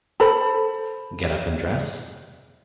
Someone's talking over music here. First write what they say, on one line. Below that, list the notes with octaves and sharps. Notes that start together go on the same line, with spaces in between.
Get up and dress?
A4 C5 B5